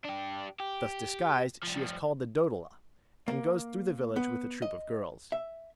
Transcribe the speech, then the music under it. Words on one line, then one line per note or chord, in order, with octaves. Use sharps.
Thus disguised she is called the Dodola, and goes through the village with a troop of girls.
D4 G4
G4
F3 G3
A#3
B3
D#5
E5